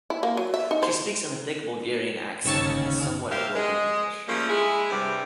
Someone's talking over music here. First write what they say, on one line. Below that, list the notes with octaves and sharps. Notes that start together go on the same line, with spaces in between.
She speaks in a thick Bulgarian accent and has somewhat broken English.
E4
A#3
F#3
E5
D#4
C5
G1 D#2 C#3 A5 C#6 E6
D#2 G4 A#4 C5 E5 F5
G#3 G#4 D#5
C#3 F3 G3 A3 A#3
G#3 E4 G#4
G2 C3 G3